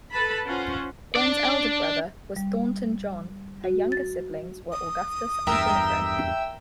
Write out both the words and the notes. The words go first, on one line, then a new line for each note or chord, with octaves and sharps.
Gwen's elder brother was Thornton John; her younger siblings were Augustus and Winifred.
A4 B4 A5 B5
C#4 F4 C5 F#5
D4 D5
G3
F#4
A6
D#6
E2 G2 A#4 E5 G5 E6